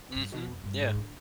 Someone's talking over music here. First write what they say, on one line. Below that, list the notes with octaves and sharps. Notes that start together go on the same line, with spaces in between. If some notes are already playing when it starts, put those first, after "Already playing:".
Mhm. Yeah.
G2
B2
F2
G2
G#2
D3